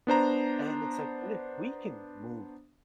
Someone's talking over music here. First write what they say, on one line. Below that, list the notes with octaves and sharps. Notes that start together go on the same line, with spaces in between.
and it's like, "What if we can move"
B3 D4 C5 A#5